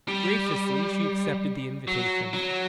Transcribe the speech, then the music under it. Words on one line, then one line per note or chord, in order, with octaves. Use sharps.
Graciously she accepted the invitation.
G3
F#3
F#3